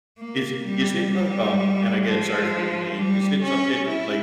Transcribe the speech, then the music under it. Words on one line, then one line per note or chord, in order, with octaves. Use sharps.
is is it like, um and again, sorry for being naive, is it something like like
A#3
G3
G3
F3
G3
C#4
E4